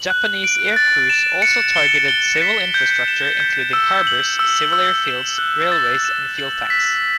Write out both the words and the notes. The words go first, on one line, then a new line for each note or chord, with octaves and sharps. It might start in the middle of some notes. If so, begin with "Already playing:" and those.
Japanese aircrews also targeted civil infrastructure, including harbours, civil airfields, railways and fuel tanks.
Already playing: F#7
F#6
D7
A6
E7
C#7
G7
G7
B6
G6
E7
G6
E6
F#7
E6
E6
E7
F#6
A6
E7
F#7
B6